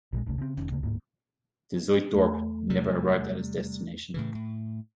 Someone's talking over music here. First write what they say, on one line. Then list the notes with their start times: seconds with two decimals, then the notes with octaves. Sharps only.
The "Zuytdorp" never arrived at its destination.
0.13 A#1 A#2 G3 G#3
0.26 D#1 C2 C#3 A3
0.38 C#3 C4
0.57 F1 D#3 C#4
0.70 D2 C#3 A#3
0.83 D1 G#2 A#3
2.14 E2 A3
2.70 C3 G3
4.14 A2 C#3 E3
4.35 A2